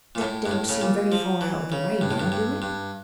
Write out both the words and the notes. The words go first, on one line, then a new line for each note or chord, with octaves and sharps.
That don't seem very far out of the way now, do it?'
A#2
A2
G2
A2
C#3
A#2
F3
E3
C#3
G2
A2
G2
G2
G2